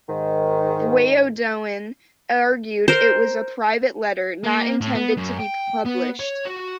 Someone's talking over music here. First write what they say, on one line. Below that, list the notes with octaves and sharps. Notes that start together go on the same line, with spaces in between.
Beaudoin argued it was a private letter, not intended to be published.
G#2 D#3
A#4 C5
A#3
A2
B3
F#2
G5
B3
C#5
F#4